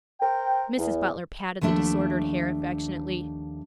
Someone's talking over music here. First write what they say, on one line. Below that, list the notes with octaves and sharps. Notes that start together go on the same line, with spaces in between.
Mrs. Butler patted the disordered hair affectionately.
A#4 C5 G5
E2
D#2 F3 A3 D4 E5